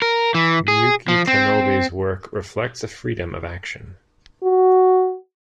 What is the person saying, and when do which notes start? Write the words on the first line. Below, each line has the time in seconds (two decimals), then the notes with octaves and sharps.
Miyuki Tanobe's work reflects a freedom of action.
0.02 A#4
0.35 E3
0.68 G#4
1.08 F3
1.27 C4
4.43 F#4